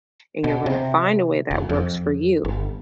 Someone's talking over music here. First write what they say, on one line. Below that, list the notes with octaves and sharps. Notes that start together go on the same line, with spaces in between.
and you're gonna find a way that works for you."
B2
C3
F1
F2
G1